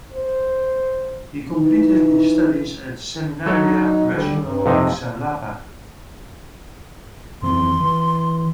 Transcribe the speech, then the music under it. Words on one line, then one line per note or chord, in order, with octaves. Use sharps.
He completed his studies at Seminario Regional de Xalapa.
C5
E3 D#4
F#3 D#4 A4 C#5
D3 G3
G2
F2 C3 D#4
F2 E3 C4 C6
E3